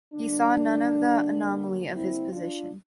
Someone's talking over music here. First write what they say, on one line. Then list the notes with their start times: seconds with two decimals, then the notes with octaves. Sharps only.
He saw none of the anomaly of his position.
0.14 D3 G3 A#3 D4
1.96 C4 E4
2.32 D4 F4